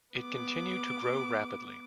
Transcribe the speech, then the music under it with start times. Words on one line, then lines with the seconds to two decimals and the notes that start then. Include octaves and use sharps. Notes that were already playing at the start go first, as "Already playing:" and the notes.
It continued to grow rapidly.
0.16 B3 D6